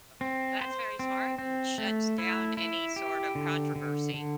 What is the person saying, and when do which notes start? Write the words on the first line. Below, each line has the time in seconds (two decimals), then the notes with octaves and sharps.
Oh, that's very smart and shuts down any sort of controversy
0.21 C4
0.61 C5
0.99 C4
1.38 C4
1.78 A3
2.18 E4
2.57 E4
2.96 G4
3.35 D3
3.76 D3
4.14 D3